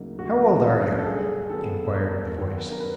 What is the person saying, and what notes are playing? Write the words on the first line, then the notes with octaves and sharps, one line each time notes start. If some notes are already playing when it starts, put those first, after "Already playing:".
'How old are yer?' inquired the voice.
Already playing: D2 C#3 F#3 A#3 D#4
D2 F#4
C#3 F#3 A#3 D#4
A4
G2 G#4
D#3 F#3 B3 A4
G2 A#4
D#3 F#3 B3
A#4
B4